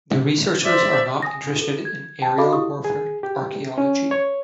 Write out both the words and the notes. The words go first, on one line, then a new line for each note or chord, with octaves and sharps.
The researchers are not interested in aerial warfare archeology.
C5 D5 E5
G#5 D#6 A#6
A4
G#6
G5 A5
F#4 A4 D#5 F5 B5 D6
E4 G4 C#6 D#6
G#4
G4
C#4
C#5